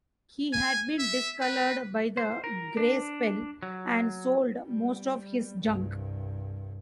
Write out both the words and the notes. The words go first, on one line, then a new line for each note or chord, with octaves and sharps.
He had been discolored by the Grey Spell and sold most of his junk.
G#5
E5
B4
C5
A#4
D4
F#3
G3
C2 G2